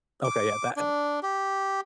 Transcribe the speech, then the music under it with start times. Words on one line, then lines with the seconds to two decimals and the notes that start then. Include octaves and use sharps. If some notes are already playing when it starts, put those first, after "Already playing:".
Okay, yeah, that
0.24 D6
0.77 D4
1.23 G4